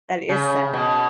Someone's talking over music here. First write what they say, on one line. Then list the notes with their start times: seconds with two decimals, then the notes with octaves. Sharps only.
That is sad.
0.29 C#3
0.73 B2